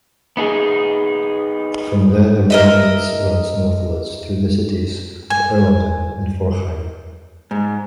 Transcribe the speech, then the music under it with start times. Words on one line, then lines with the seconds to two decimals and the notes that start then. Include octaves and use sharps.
From there the Regnitz runs northwards through the cities of Erlangen and Forchheim.
0.37 B3 D#4 G#4
2.50 A#4 D#5 E5
5.30 G#5
7.51 G#2